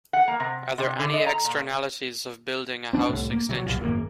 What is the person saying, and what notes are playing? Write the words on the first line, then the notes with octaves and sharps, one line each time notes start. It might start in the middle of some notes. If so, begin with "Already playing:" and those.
Are there any externalities of building a house extension?
F#5
A#3
C3
C3
D3
D#5
A#5
A#2
C4 D4
C2 A2
A#3
C3 F#3
C2 A#2
G#1 F#2 D#3 A#3